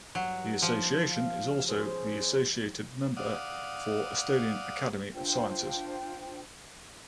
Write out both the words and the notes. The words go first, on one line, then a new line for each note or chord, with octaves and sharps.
The association is also the associated member for Estonian Academy of Sciences.
G2 F#3
F3
F5
C#4 G#4 C5
D5 F5 F#5 D#6
D4 F4 C5 G5